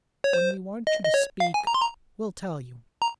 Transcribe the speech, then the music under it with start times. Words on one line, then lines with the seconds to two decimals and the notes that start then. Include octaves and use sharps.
"When we want you to speak we'll tell you."
0.24 C#5
0.33 C5
0.87 D#5
1.04 D#5
1.14 C#5
1.40 F5
1.54 G#5
1.67 A#5
1.74 C6
1.81 A#5
3.02 A#5